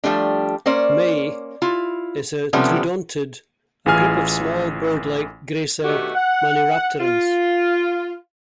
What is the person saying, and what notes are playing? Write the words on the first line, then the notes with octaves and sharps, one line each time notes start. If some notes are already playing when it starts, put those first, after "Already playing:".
"Mei" is a troodontid, a group of small, bird-like, gracile maniraptorans.
F3 G3 A3 D4
A#3 C#4 C5 D5
E4 F4
C3 F3 G3 A3 B3 C#4
A1 E3 F4 G#4 G#5 F6
B2 D#3 A3 D4 F#4 G4
F#5
F4